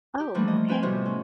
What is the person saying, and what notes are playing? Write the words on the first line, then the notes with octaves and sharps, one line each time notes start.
Oh, okay.
G4
E3 F3 G3 A3 A#3 D4
D#5
F4 B4 C5 G#5
A2 C3 G3 B3 C4 F#4
C#4